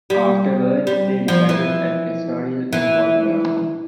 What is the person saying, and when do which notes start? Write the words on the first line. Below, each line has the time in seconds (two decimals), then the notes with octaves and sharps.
Afterwards, they resided at Estoril, in Portugal.
0.10 G3
0.87 G3
1.28 F3
1.49 E3
2.73 E3